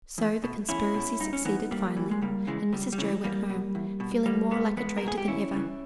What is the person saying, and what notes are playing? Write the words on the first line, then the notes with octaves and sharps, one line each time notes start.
So the conspiracy succeeded finely; and Mrs Jo went home, feeling more like a traitor than ever.
E2
B2
E2 C#4 E4
B2
G2 D#4
C#4
E3 B3 D#4
G2 G3 A#3
E3
G#3
C#2 G3 A#3
C#3 E3 G#3
C#2 G3
G3
C#3 E3 G#3
E2 G3 A#3
B2
E2
B2
E2 G3 A#3
B2 G#3 B3
E2 G#3 B3
A#4
B2
G#4
G4
D#2 C#4 E4
C#3 E3